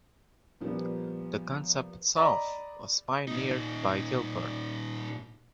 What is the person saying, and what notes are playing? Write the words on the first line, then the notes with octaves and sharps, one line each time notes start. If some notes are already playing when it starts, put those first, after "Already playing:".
The concept itself was pioneered by Gilbert.
A#2 F3 G3 A#3 B3
D5 D#5 A#5 B5
A#2 D#4